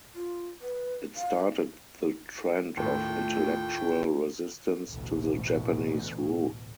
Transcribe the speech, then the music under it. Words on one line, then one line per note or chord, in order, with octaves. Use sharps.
It started the trend of intellectual resistance to the Japanese rule.
F4
B4
F5
D#2 A2 A3 D4 F4 C#5 G5
A1 D2 B2